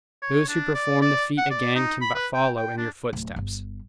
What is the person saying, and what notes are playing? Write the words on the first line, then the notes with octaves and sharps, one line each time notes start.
Those who perform the feat again can but follow in your footsteps.
C#5
D4
D5
D5
F#5
D5
D#4
B5
B4
G5
G5
D4
D1
G1